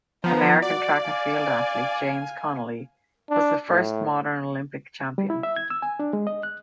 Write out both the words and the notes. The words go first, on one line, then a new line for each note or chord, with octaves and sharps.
American track and field athlete James Connolly was the first modern Olympic champion.
F3 B3 A#5
F#4 D5
F5 G#5
D4
A2
G3
E4
E5
G#6
E6
G#5
D4
G#3
D#5
F#6